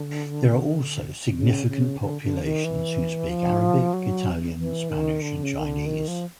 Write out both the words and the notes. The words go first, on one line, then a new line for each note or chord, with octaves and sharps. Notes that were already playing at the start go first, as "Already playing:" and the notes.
There are also significant populations who speak Arabic, Italian, Spanish and Chinese.
Already playing: D3
C#3
C#3
D3
D3
D#3
E3
F3
F#3
E3
D#3
D3
C#3
D#3
D3
D#3
F3